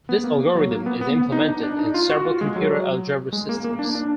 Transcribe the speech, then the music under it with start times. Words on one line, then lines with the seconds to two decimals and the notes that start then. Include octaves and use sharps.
This algorithm is implemented in several computer algebra systems.
0.09 B3
0.24 A#3
0.55 F#3
0.71 A#3
0.86 B3
1.01 B3
1.16 B3
1.32 D#4
1.48 D4
1.63 D4
1.79 D#4
1.94 F4
2.10 F#4
2.25 F4
2.41 G#3
2.56 F#3
3.33 G#3
3.49 A#3
3.64 A#3
3.79 D4
3.95 D4